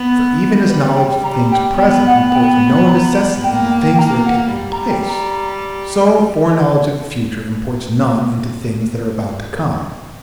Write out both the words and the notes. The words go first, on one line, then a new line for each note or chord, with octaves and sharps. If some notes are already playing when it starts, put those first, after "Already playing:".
For even as knowledge of things present imports no necessity into things that are taking place, so foreknowledge of the future imports none into things that are about to come.
Already playing: B3
G3 B4
G5
G3 A#5
G5
B3 G5
F#5
G5
A#5
A#3 G5
G5
G5
A#3 A#5
F#5
G3
A#5
G5
A#5